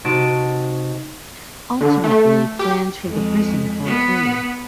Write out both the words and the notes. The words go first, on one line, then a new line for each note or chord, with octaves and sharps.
Ultimately, plans for the prison fell through.
C3 D#4 F#4 A5 A6 D7
D3
A3
G4
F2 G#3
B3